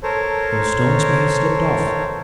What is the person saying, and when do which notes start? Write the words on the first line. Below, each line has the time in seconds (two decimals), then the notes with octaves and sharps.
Those stones may have slipped off.
0.03 A4 A#4 C5 C#5